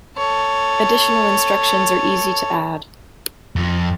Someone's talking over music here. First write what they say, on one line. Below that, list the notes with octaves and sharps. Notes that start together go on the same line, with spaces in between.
Additional instructions are easy to add.
A4 C#5
F2